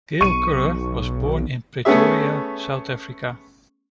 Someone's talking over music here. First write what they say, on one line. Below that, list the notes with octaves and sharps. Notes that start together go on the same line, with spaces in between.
Gail Currer was born in Pretoria, South Africa.
B1 C#6 D#7
A3 B3 C#4 G#4 E5